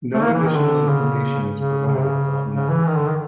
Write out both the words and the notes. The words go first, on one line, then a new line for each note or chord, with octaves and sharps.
No additional information is provided about Naglfari.
A3
A#3
E3
D#3
D3
C#3
C#3
C#3
C3
C#3
C#3
E3
D#3
D3
D#3